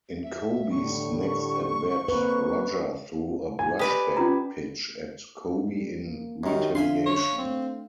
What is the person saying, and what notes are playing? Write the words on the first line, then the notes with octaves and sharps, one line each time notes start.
In Koby's next at bat, Roger threw a brushback pitch at Koby in retaliation.
E5
A2 D3 G3 C#6
D3 A#3 C4 B4
G#5
G4 B4 D5 D#6
C#4 F4 A#5
G3
A#3
F#2 D#3 G4
D3 D4 E5 F5 G#5 C6
C#5
A3 C4